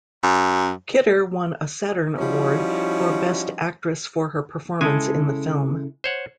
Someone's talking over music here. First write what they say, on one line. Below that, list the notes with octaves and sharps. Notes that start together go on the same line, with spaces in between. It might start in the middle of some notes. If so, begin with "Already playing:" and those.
Kidder won a Saturn Award for best actress for her performance in the film.
F#2
F3 G3 C#4 D#4 E4 F#4
C#3 G#3 E4 A4 G#5
C5 C#5 F#5